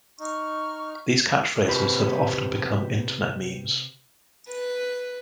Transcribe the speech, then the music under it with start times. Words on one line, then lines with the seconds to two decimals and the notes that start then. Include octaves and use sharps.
These catchphrases have often become internet memes.
0.20 D#4 C#6 F6
1.67 C3 G4 B4 C5
4.50 B4